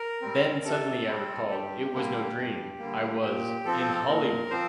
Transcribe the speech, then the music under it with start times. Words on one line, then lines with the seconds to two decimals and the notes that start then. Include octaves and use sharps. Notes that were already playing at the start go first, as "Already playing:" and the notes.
Then suddenly I recalled, it was no dream: I was... in Hollywood!
Already playing: A#4
0.22 G3 C4
0.65 C3 A4
1.08 G3 C4
1.50 G2 G4
1.93 D3 G3 A#3
2.36 G2
2.79 D3 G3 A#3
3.22 A#2 G4
3.65 F3 C4 A4
4.08 A#2 A#4
4.51 F3 C4 C5